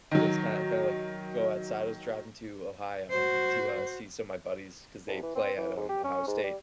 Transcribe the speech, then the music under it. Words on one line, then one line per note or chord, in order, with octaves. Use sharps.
It was kind kinda like, go outside, I was driving to Ohio to, uh, see some of my buddies 'cause they play at, um, Ohio State,
D#3 F#3
F#4 C5
C2
E3
C4
E3
G#2
G4
C#4
G#2
G3